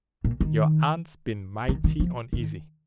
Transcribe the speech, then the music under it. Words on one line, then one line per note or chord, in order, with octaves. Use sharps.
"Your aunt's been mighty uneasy."
A#2
D#3
D#3
D#3
F3
D#3